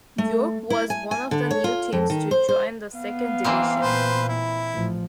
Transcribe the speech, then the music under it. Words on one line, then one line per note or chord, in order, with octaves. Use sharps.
York was one of the new teams to join the second division.
A3
E4
G#5
G#5
D3
C#5
F4
F2
D#3
C5
C5
B3 F5
E3 A#3 C4
A#2 B4 C5
E4
A1 F3